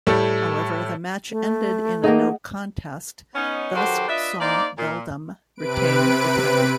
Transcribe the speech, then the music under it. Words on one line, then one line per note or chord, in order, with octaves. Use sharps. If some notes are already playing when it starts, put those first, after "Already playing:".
However the match ended in a no contest thus saw Beldam retain the title.
A2 G3 A3
A3
A#3 D#4 G#4 D#5 F#5
B3 C#4 D#4
D#3 F#3 F#4 G4 A4 C5
D4 F4 B4 D#5 E5
A#3 D#4 C5 D5
A#2
C3 B4 D7